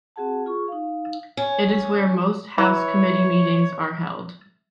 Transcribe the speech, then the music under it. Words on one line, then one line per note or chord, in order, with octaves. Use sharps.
It is where most House committee meetings are held.
C4 F#4 G#4 F#5 A5
F4 G#4 C#6
D#4 F5
C#4
E3 C#5